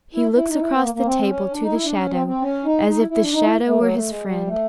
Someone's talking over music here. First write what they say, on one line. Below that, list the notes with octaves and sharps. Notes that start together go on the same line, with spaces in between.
He looks across the table to the shadow, as if the shadow were his friend.
E4
E4
D#4
E4
B3
A#3
A#3
C4
C#4
D4
D#4
E4
D4
C#4
C4
C4
C#4
D#4
D#4
E4
E4
D4
D#4
E4
A3
F#3
A3
G#3
G3
A3